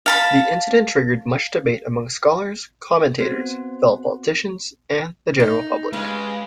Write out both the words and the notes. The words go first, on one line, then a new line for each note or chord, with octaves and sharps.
The incident triggered much debate amongst scholars, commentators, fellow politicians, and the general public.
F5 A5 B5
B3 C4 F#4 C5
D#4
G#3 C#4 G4 B4 F5